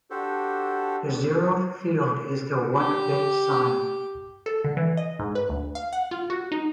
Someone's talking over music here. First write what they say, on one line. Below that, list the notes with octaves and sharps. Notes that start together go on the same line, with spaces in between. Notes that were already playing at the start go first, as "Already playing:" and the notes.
The zeroth field is the one-bit sign.
D4 F#4 G4 A4 C5
G4 D6
A4
D3
E3
D#5
G#2
B4
D2
F5
F#5
F4
F#4
D#4